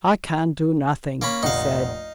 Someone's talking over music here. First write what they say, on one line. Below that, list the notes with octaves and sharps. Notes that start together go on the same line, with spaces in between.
"I can do nothing," he said.
A#3 C#4 B5
F1 A#1 D#4 F5 F#5